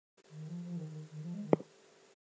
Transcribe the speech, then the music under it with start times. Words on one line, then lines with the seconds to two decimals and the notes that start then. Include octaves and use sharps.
Ford introduced flexibility into mass production, so that Fordism could continue to evolve.
0.30 D#3
0.48 F3
0.65 F3
0.76 D#3
0.88 D#3
1.11 D#3
1.23 F3
1.34 G#3
1.43 D#3